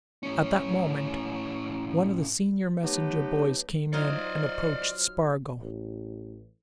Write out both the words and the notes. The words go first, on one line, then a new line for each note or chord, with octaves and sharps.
At that moment one of the senior messenger boys came in and approached Spargo.
A2 C#4
F#3 A3 B3 D#4 G4 B4
F#3 D#4 F4 C5 D5 D#5 F6
A1